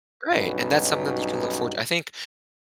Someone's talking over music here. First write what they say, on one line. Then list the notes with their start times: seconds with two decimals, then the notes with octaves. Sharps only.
Great, and that's something that you can look forward to I think
0.33 B1 G2 C#4 D#4 F#4 B4